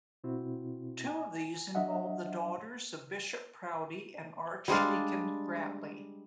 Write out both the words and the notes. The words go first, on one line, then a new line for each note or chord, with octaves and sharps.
Two of these involve the daughters of Bishop Proudie and Archdeacon Grantly.
B2 C4 E4 F#4
G#5
F#3 D4 D#5 E5 F#5
G3 G#3 D4 F5